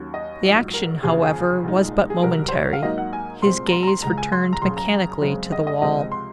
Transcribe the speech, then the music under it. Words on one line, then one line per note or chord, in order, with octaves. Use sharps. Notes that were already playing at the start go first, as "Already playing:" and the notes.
The action, however, was but momentary, his gaze returned mechanically to the wall.
Already playing: D#2 D#3 F#3 C#4
D#5
A#1 G#2 F#3
A#4
F1 D#2 C#3 F3 G#4
G#4
C2 A#2 G#3 D#4
G#4
C2 C3 F#3 A#4
C5
C#5
F5
G#2 F#3 A#3 D#4 D#5
F#5
G#5
C2 A#2 G#3 C4 C6
A#5
C6
A#5
C6
C#2 C#3 G#3 A#5
G#5
C6
A#5
F#1 F#2 C#3 C6
A#5
F#1 F#2 C#3 G#3 C4
D#5
D#5
C#2 C3 F3 G#3 C4 D#5
C6